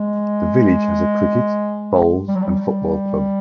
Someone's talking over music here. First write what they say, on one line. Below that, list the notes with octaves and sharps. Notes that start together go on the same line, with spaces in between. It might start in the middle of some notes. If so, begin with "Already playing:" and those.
The village has a cricket, bowls and football club.
Already playing: G#3
G3
F#3
G3